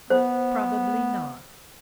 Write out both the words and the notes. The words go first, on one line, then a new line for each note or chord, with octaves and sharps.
Probably not.
B3 C5